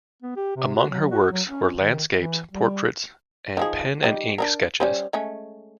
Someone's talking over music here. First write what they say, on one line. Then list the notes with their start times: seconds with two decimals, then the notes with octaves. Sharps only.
Among her works were landscapes, portraits and pen and ink sketches.
0.22 B3
0.37 G4
0.56 C3
0.75 F#4
0.89 F#3
1.11 F#4
1.32 F#3
1.47 C#4
1.77 D#3
2.18 E3
2.52 G3
3.57 D#3 F3 G#4
4.03 D#3 G3 G4
4.38 D4 D#4 A#4
4.80 G3 C#4 C5
5.13 G#3 A3 C#4